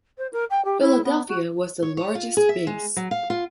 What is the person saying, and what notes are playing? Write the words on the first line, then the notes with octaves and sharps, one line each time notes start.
Philadelphia was the largest base.
C5
A#4
G5
G4
E4
B3
F#4
C#5
C#5
F4
G#4
E5
G#3
F#3
F5
F4